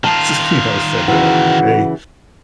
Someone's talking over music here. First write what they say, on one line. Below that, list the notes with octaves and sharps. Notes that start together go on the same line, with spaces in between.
s you know, said that." But, hey,
D#3 F4 A5
C#3 E3 F#4